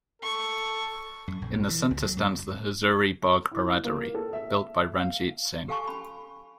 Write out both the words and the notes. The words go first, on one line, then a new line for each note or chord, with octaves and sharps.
In the center stands the Hazuri Bagh Baradari, built by Ranjit Singh.
A4 C#6
F#2
A#1
A#2
E3
C#2
F#3
F#2
E4
A#3
A4
E5
F5
G4 A4 F5 G#5 A5 C#6
C#4 B5